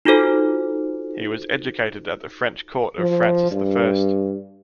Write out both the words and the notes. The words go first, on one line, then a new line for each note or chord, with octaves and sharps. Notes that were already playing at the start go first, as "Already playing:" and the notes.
He was educated at the French court of Francis I.
D#4 F4 F#4 A4 C5
F3
G2